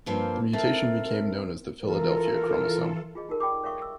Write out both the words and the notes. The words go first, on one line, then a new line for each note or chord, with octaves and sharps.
The mutation became known as the Philadelphia chromosome.
G2 F3 A#3 C4
A3 C4 A#4
E3 F4 A4 A#4
F4 G#4 D#5
D#4 G4 A4 A#4
D5 G5 B5 D6
C#5 D5 E5 F5 C#6 D#6
E6